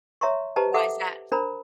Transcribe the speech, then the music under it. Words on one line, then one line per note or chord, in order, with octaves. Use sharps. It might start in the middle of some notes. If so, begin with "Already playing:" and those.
Why's that?
C#5 E5 A#5 C6 C#6
G4 B4 C5 D#5 A5 A#5
A4 E5 F#5 D6
D4 A#4 C5 A#5 B5